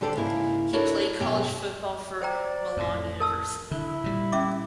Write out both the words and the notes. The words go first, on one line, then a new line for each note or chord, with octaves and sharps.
He played college football for Malone University.
D3 D4 G4 A4 C5 D5
G#2 C#3 A#3 E4
D4 E4 F#4 A4 A#4 C#5
F#2 B2 G4 G#5
C5 D5 G5 A#5
F2 A2
A#4 A5 E6
D3 E4
A#2 G3
C#4 E5 D6